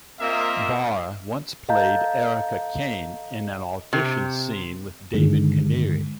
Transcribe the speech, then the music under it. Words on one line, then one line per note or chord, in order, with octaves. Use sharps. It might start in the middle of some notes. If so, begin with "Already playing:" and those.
Barr once played Erica Kane in an audition scene with David Canary.
A#3 C4 F4 A#4 D#5 E5
A4 D#5 F5 A5 A#5 G6
C3
G2 D3 D#3 G#3